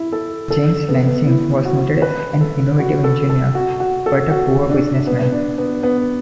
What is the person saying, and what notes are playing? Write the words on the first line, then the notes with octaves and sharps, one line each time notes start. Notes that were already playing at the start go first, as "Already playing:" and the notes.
James Lansing was noted as an innovative engineer, but a poor businessman.
Already playing: E4
A4
A4
B3
B3
E4
F#4
B4
A4
F#4
A4
A4
F#4
F#4
A4
F#4
D4
B3
B3
D4
B3
B3